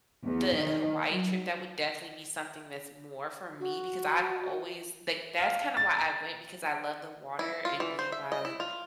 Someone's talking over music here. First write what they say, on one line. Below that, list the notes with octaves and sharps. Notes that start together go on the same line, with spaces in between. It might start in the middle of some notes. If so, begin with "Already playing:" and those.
the Hawaii trip, that would definitely be something that's more for me because I've always like that's kinda why I went because I love the water and being by, like,
E2
D#3
F#3
F#4
F5
A6
A#5
E4
F4
E3
C5
E5
D#5
E4
F4